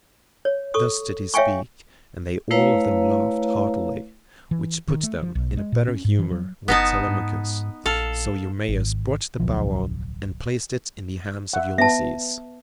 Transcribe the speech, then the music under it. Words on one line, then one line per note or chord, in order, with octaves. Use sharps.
Thus did he speak, and they all of them laughed heartily, which put them in a better humour with Telemachus; so Eumaeus brought the bow on and placed it in the hands of Ulysses.
C#5
A4 C#6 D#6
C#5 E5 F5 G5 G#5 C#6
A3 E4 B4 C#5 F5 A#5
E3
D#3
A3
F3
B1
G#3
A#2
C#4
G#2
E3
F#3
F#1 B3 D#4 A5
G#2
A#1 A4 F5
G#1
D1 B1 F3
E5 F#5
B3 E5 A5